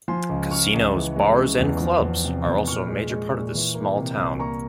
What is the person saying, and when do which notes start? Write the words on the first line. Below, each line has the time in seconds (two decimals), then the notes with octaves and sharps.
Casinos, bars, and clubs are also a major part of this small town.
0.08 F3 G#5 C6
0.29 C#2
0.51 C#3 C#6 F6
0.74 C#2
0.94 E3
1.16 G#3
1.37 C#3
1.59 E2
1.80 F3
2.02 E2
2.25 C3
2.46 E2
2.68 A#2 C#6 F6
2.88 G#3
3.10 G#3
3.32 A#2
3.54 E3
3.75 A#3
3.96 C3
4.18 C2
4.39 A#3 A#5 C#6